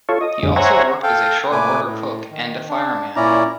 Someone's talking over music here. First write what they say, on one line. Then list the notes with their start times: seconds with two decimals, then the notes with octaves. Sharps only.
He also worked as a short-order cook and a fireman.
0.09 F4 A4 C#5
0.21 D#5
0.43 F#2 D3 G#3
0.56 C5 C#5 E5 F#5 G#5 A#5
1.03 A4 F5 G5
1.52 A#2 C#3 A3 B4 G#5 D6
1.85 A2
2.31 D#3
2.69 D4
3.16 A#2 C#4 E4 D5 A#5